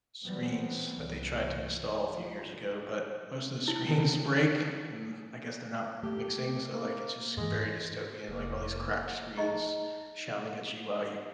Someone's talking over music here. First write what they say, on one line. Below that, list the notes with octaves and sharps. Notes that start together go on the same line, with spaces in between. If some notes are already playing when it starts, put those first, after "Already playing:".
screens that they tried to install a few years ago, but most of the screens break, and I guess they're not fixing, so, like, it's just very dystopian, like, all these cracked screens shouting at you while you
E3 F#3 G3 A3 B3 C4
C2 G2 E3
F3
E4
A3 G4
A#3
G#2 E3 G#3
F1 A#3
D#4 G#4 D#5 A#5 C#6 D6